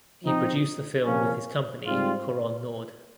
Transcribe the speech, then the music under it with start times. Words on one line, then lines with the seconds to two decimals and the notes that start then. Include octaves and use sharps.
He produced the film with his company Couronne Nord.
0.23 F3 C4 D#4
1.05 C3 F3 A#3 C#4
1.85 G#2 G3 C4 F4